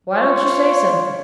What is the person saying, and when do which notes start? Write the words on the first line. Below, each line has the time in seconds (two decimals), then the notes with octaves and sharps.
"Why don't you say something?"
0.14 F4 C5 C#5